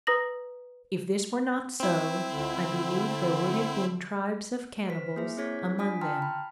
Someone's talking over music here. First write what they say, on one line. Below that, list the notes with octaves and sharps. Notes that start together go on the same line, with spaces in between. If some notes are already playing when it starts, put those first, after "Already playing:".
If this were not so, I believe there would have been tribes of cannibals among them.
B4 A#5 D#6 A#6 F#7
C4 E4
C#2 D3
D3
B4 C5 B6
A#3 E4 G#4 E5
C4 E4 G#4 C#5 G#6 B6
D4 F4 G#5 D#6 B6
G5 A5 A#5 C6 E6 F6
B5